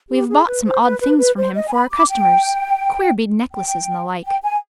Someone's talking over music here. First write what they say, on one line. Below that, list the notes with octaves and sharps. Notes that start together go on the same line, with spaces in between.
We have bought some odd things from him for our customers, queer bead necklaces and the like.
G4
G#4
B4
C5
B4
B4
B4
C5
D#5
G#5
B5
D6
G5
G5
G5
G#5